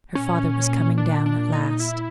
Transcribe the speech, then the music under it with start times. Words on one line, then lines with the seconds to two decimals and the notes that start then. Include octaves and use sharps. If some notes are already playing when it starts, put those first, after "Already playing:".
Her father was coming down at last.
0.15 A#2 C#4
0.98 D4
1.26 D4
1.53 D#4
1.80 E4